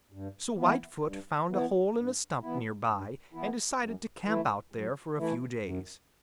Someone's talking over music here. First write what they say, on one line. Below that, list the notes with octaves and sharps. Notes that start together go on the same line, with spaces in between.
So Whitefoot found a hole in a stump near by and decided to camp out there for a few days.
G2
E3 B3 E4
G2
E3 B3 E4
G2
E3 B3 E4
G2
E3 B3 E4
F#2
E3 A3 E4
F#2
E3 A3 E4
F#2